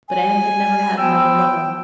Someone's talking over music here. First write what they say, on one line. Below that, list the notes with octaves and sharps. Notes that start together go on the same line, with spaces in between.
But Anne had never had another lover.
G#5
F3 B3 G5 E6